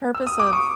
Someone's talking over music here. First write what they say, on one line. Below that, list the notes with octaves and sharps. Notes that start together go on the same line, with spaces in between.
purpose of
E6
D#6
D6
C#6 D#6